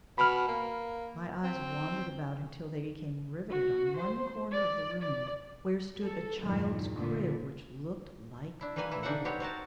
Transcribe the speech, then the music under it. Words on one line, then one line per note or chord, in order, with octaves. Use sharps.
My eyes wandered about until they became riveted on one corner of the room, where stood a child's crib which looked like gold.
B2 B5 F6
A#3
C4
F#4
C5
D5
D5
A4
E2 G2 A#2 D#3 F#3
A#2 D3 B3
D4 E4
E3 G3 A#3 B4 G#5
E3 E4
D4 D#4 D5 E5 F#5
B3 C4 G4 C#5 G5
C4 F#4 A#4 A5